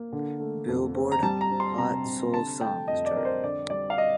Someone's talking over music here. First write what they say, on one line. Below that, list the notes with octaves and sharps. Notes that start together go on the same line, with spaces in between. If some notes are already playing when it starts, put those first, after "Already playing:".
Billboard Hot Soul Songs chart.
Already playing: A#3
D3
A3
F2
C4
A#5
G3 A5
A#5
C4
C6
C3 A#5
C3
D3 A5
A3 G5
F2 D#5
D5
F2 A#4
C5
D3 D5
G3 D5
F5
D#5